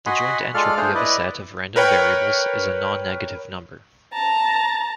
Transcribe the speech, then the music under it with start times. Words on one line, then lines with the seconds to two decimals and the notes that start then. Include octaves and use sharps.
The joint entropy of a set of random variables is a nonnegative number.
0.06 F#4 D#5 F#5 G#5 B5 C6
0.54 G#3 F4 A4 D5 F5 F6
0.77 A3 D4 G#4 C5 F5
0.95 E4 B4 D5 D#5
1.76 A#4 B4 C#5 G5
4.14 A5 A#5